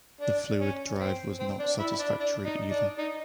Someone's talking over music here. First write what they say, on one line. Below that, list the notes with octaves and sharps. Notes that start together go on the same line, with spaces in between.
The fluid drive was not satisfactory either.
D4
C#4
C4
C4
D4
E4
D4
D4
D#4
D4
D#4